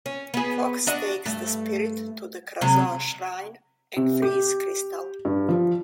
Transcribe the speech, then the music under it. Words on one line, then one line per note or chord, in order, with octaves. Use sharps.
Fox takes the spirit to the Krazoa Shrine and frees Krystal.
C#4
B3 G#4
D4 F#4 D#5
G2 A3
C3 F#3 G#3
C3
G4
G2
F3